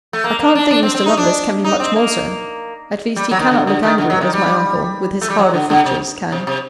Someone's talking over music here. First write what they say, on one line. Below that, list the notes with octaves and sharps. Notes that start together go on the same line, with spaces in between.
I can't think Mr. Lovelace can be much more so; at least he cannot look angry, as my uncle, with his harder features, can.
A3
A#3
A#3
D4
D4
C4
C4
D#4
D4
D#4
C4
A#3
G3
F#3
D#3
D3
D3
D#3
D3
F#3
D#3
G3
A3
G3
F#3
D3
D3
C3
C3
C3